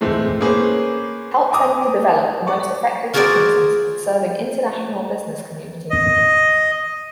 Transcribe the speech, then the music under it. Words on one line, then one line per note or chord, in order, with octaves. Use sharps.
It helps them to develop the most effective mechanisms for serving international business community.
E3 G#3 A3 C4
A#3 C#4 G#4 B4 C5
G#5 A#5 D6 D#6
D5 C#6
F4 F#4 G#4 A#4 C5 D5
D#5